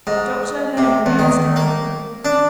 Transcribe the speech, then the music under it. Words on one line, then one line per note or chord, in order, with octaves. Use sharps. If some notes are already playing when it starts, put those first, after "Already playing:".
The doctor alone remained standing.
G#2
C3
E2
D#3
A#3
D4